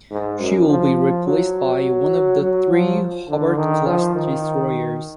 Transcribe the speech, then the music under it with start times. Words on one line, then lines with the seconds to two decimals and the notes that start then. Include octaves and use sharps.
She will be replaced by one of the three "Hobart"-class destroyers.
0.11 G#2
0.40 F#2
0.69 F3
1.26 F#3
2.42 F#3
2.70 F3
3.29 D3
3.57 D#3
3.87 F3
4.15 D#3